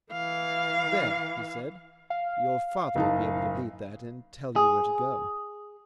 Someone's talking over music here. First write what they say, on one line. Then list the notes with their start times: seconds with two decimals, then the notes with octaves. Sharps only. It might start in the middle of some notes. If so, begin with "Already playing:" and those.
"There," he said, "your father will be able to read that, and tell you where to go."
0.12 E3 F5
2.10 F5
2.96 F#1 D#4 A5
4.56 G#4